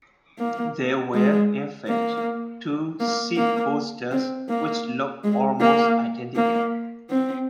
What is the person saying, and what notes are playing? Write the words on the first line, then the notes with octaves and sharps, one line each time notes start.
There were, in fact, two "Seed" posters, which look almost identical.
A#3
G#3
A#3
A#3
A#3
C4
A#3
G#3
A#3
A#3
C4